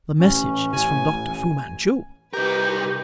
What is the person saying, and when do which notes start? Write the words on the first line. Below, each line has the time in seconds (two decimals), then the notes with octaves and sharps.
"The message is from Dr. Fu-Manchu!"
0.20 A1 C#4
0.73 G#5
2.33 C2 D#4 G4 A#4 B4 G6